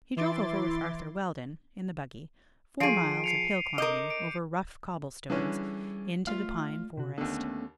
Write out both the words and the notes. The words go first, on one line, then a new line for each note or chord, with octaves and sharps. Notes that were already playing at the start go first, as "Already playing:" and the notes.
He drove over with Arthur Weldon, in the buggy--four miles of hill climbing, over rough cobble-stones, into the pine forest.
E3 E4 C6 D6 A6
F3 G#4 C7 D7 D#7
C7 C#7 F7
A#4 D#5 D6 G6
D7
D3 E3 G3 C#4 G#4
A3 F4 D5 E5 F5
C3 F#4
D#2 D3 A3 B3 C#4